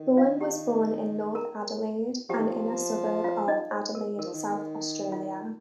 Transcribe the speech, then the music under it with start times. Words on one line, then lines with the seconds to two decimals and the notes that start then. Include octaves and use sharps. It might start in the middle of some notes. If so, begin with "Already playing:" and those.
Bowen was born in North Adelaide, an inner suburb of Adelaide, South Australia.
Already playing: D#3
0.17 F4 F5
0.41 G4 G5
1.35 A#4 A#5
2.29 F3 G4 G5
2.38 D#3
2.48 F3
3.24 F4 F5
3.48 D#4 D#5
3.71 C5
3.95 A#4
4.18 D#3 A#4
4.26 F3
4.33 D#3
5.12 F4